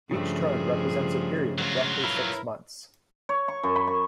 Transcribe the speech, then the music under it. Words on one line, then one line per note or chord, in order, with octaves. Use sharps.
Each turn represents a period of roughly six months.
G2 C#3 F3 A3 G#4
F#3 F4
E4 A#4 B4
C#5
C#6
F#2
B5
C#6